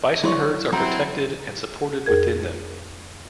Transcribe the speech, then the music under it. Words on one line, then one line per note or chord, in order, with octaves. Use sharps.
Bison herds are protected and supported within them.
F#3 E4 C#5 D5 C6 C#6
F#3 C4 E4 G5 A#5
F2 G#4 A#4 G#6